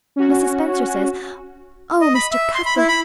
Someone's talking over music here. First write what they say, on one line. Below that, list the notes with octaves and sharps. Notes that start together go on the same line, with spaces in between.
Mrs. Spencer says--oh, Mr. Cuthbert!
C#4 F#4
D#5
B5
E5
C6
B5
E4
B5